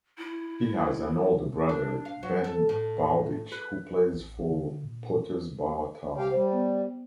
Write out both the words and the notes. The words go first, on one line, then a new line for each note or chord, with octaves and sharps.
He has an older brother, Ben Bowditch, who plays for Potters Bar Town.
E4
D4
F5
F#3
A4
A2
B4
A1
D3
A#2
G4 F5 G5
G3 C5
B3